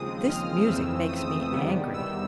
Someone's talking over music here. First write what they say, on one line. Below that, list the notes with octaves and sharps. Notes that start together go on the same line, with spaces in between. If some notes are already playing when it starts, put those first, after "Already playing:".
This music makes me angry.
Already playing: D#2 C#3 F3 G#3 C4 D#6
F6
F2 C#3 E3 A3 C4 E6
D#6
E2 C3 D#3 G3 B3
E6